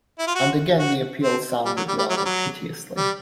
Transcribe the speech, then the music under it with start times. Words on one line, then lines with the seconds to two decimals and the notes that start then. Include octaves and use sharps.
And again the appeal sounded rather piteously.
0.19 E4
0.27 F4
0.35 F#4
0.79 F#4
1.23 C4
1.66 G3
1.77 F#3
1.88 G3
1.99 G3
2.10 F#3
2.17 G3
2.25 F#3
2.97 G3